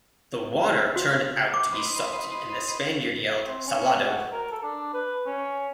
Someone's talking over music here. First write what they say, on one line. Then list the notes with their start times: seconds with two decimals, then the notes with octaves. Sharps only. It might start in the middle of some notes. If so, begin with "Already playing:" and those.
The water turned out to be salty and the Spaniard yelled salado!
0.96 F#4
1.54 D6
1.73 B4 C5 D#5
3.46 C4
3.67 C#4
4.01 F#4
4.32 A#4
4.52 A4
4.63 D4
4.93 B4
5.26 C#4